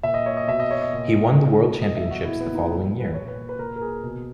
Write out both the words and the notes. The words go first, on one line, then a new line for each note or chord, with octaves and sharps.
He won the World Championships the following year.
A#2 E5
D#5
C#5
D#5
B2 E5
D#5
C#5
D#5
A#2
A#2
B2 D#5
E5
F#4
A#2 E4
B3
D#4
A#2
B4
A#2 C#5
B4
B4
A#2 A#4
A#4
G#4
B2